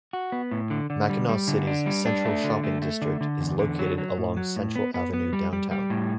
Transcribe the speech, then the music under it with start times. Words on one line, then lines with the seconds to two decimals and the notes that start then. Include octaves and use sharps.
Mackinaw City's central shopping district is located along Central Avenue downtown.
0.13 F#4
0.32 B3
0.51 A2
0.70 D3
0.90 D3
1.10 G3
1.29 G3
1.48 D3
1.67 D4
1.86 G3
2.05 D4
2.25 A3
2.44 D3
2.64 A3
2.82 A3
3.02 D3
3.21 D3
3.41 E2
3.59 D3
3.79 F#3
3.98 F#3
4.18 A2
4.37 F#3
4.56 A2
4.76 B3
4.94 B3
5.14 B3
5.33 G3
5.53 G3
5.71 G3
5.90 A2